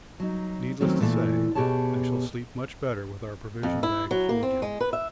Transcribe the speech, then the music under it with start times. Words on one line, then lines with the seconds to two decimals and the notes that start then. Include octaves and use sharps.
Needless to say I shall sleep much better with our provision bag full again.
0.20 F#3 D#4
0.81 D#3 F#3 A3 C4 C#4
1.00 A#2 E3 A3
1.55 B2 G4 G#4 C#5 A5
3.63 F2
3.83 E4
4.11 F#3
4.29 A#3
4.43 C4
4.62 G#3
4.81 B4
4.93 E5